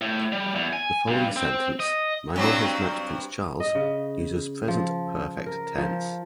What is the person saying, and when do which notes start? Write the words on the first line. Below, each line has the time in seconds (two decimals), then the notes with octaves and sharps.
The following sentence "My Mum has met Prince Charles" uses Present Perfect tense.
0.01 A2
0.33 G3
0.55 E2
0.73 G#5
1.08 G2
1.36 C4
1.80 D#5
2.36 G2 F#3 C4
3.60 D#5
3.75 C#3
4.68 F3
5.46 A#4
5.78 F3